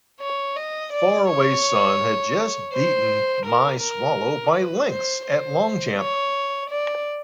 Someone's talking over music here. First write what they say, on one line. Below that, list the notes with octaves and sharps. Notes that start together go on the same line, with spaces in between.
Faraway Son had just beaten My Swallow by lengths at Longchamp.
C#5
D#5
D5
C#5
C5
A#4
A#4
B4
C5
C5
C#5
D5